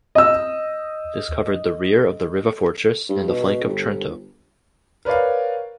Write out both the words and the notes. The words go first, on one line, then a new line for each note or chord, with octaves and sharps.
This covered the rear of the Riva fortress and the flank of Trento.
D#5 E6
G2
B2
G1
A#4 B4 C#5 D5 F5